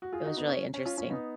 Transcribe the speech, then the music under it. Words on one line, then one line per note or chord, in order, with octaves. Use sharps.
it was really interesting.
F#4
F4 G#4
D#4 F#4
B3 D#4
C#4
C#4
C#4 F4
C#4 F4
B3 D#4